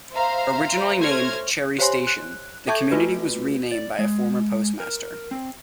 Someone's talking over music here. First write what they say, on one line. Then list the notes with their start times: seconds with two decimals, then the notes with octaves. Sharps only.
Originally named Cherry Station, the community was renamed by a former postmaster.
0.12 C5 E5 F5 A#5
0.98 A3 C5 C#5 F6 G#6 A#6
1.79 G4 C5 C#5 G#5 C6
2.07 F#6
2.67 A4 E5 A5 C#6 G6 G#6
2.91 A3 F4 F#4 B4
3.72 D5
3.99 G#3
4.80 A#4
5.31 C4